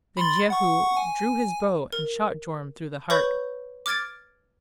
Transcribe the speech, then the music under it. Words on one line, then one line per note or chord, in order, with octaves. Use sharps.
Then Jehu drew his bow and shot Joram through the heart.
B5 C6 A6
F#5 C#6
G#5
A#4
B4 C#5 B5 C#6 G6
D6 F6 G#6 A6 D7